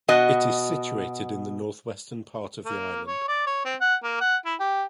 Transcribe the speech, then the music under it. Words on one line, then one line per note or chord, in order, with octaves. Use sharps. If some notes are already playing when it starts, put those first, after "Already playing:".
It is situated in the northwestern part of the island.
B2 F#4 D#5
A#3
C#5
D5
C#5
C4
F#5
A#3
F#5
E4
G4